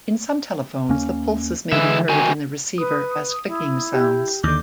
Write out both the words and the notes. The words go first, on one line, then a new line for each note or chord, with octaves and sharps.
In some telephones, the pulses may be heard in the receiver as clicking sounds.
D#2 A#3 C#4
D3 E3 G#3 E5
D#3 F#4 G#5
B4 D#6
E4
G4
D#2 D3 D6 G6